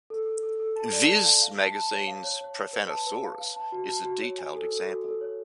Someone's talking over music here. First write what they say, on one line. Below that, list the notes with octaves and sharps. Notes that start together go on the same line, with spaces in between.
Viz magazine's Profanisaurus is a detailed example.
A4
A4
A4
A4
A5
D5
A5
F5
F5
A5
A5
C#5
F5
C#5
C#5
C#5
B4
A5
B4
F5
F5
A5
F#4
A5
F#4
C#5
G#5
A4
A4
F#4
A4
C#5